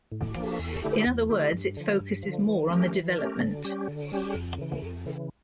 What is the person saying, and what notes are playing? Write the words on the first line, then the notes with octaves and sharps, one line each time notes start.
In other words, it focuses more on the development.
A2
F3 A#3 D4
E2
D3 A3 E4 G4
E2
D3 A3 E4 G4
G2
D3 F3
G2
D3 F3
E3
A3 C#4 G4 A#4
E3
A3 C#4 G4 A#4
D3
G3 C#4 G4
D3
G3 C#4 G4
F2
C#3 E3
F2
C#3 E3